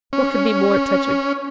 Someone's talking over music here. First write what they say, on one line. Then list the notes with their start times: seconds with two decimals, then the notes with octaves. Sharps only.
What could be more touching?
0.13 C#4